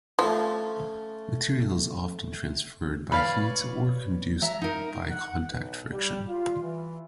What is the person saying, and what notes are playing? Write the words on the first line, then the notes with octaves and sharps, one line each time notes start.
Material is often transferred by heat or induced by contact friction.
F3 A3 C#4 A4
B4 C#5 D5 F5 B5
F#3 E5 A#5
D#4 A#4
F#5
B1
G3
F4
E3